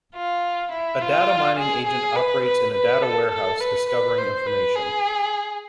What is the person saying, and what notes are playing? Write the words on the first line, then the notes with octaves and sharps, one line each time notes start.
A data mining agent operates in a data warehouse discovering information.
F4
E4
F4
G#4
G#4
B4
B4
B4
A4
A4
B4
B4
C5
B4
G#4